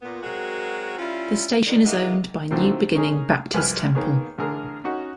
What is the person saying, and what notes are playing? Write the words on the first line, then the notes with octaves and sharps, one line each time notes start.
The station is owned by New Beginning Baptist Temple.
A#2 B3
F#3 G#3 C4 F#4 A#4
G3 C#4 E4 F4
F2 D3 D#3
D#3 G#3 A#3 B3 D#4 E4
A#2 D3 D#3 F#3 A3 C4
C#4 D#4 G#4 A#4
C2 F2 B4 G#5 B5 F6
D#3 A#3 B3 G#4 C#5
A1 D3 G#4 A#4 F6
C#4 D#4 F#4 F#5